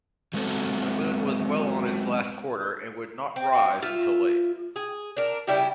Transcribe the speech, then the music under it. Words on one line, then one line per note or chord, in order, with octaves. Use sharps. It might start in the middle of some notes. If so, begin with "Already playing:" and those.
The moon was well on its last quarter and would not rise till late.
F#3 G#3 B3 C4 F#4 A4
C4
F4 E5
G#4
D4 A#4
C#3 G3 E4 G4